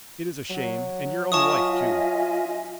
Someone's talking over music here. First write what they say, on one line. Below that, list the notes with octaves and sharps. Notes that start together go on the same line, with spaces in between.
It is a shame, and your own wife too.
F#3
F4 D#5 E5 G#5 A5 C#6 D#6